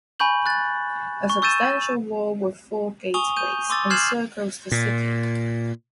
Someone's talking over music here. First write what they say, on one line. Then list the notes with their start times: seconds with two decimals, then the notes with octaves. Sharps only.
A substantial wall with four gateways encircles the city.
0.20 G#5 B5 C#6 G6 F#7
0.46 F#6 A6
1.29 C#6
1.42 C#6 E6 G6 A6 D#7 E7
3.14 G#5 C#6 D#6 F7 G7
3.36 G6 D#7
3.70 C6 D6 E6 A6
3.90 F6 G6 G#6 C7 E7 F#7
4.72 A#2